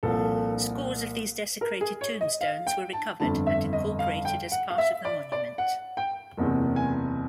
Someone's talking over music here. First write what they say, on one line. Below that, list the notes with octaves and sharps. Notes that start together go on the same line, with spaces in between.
Scores of these desecrated tombstones were recovered and incorporated as part of the monument.
C2 A#2 F3 A4
A#4
G#4
C#5
D#5
F5
G5
A5
G1 F2 D3 A5
E5
D#5
F5
G5
F#5
F5
E5
D5
D5
F#5
G5
F#1 E2 C3
G#5